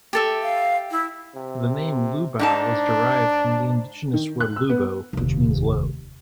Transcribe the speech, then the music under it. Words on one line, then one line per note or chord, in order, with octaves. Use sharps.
The name Lubao was derived from the indigenous word "lubo" which means low.
G4 A4 E5
F5
E4
C3
G#2 D4 D#4 A5
D#3
F#6
E6
B3
F1 D#2